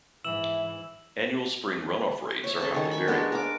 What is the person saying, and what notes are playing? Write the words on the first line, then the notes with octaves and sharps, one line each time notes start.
Annual spring run-off rates are highly variable.
G#2 E3 E5 E6 E7 F#7
C#5 E5
C#4 G#4 A4 A5
D#3 A4
B5 C#6
G#3 B3 D4 A#4
A#4 D6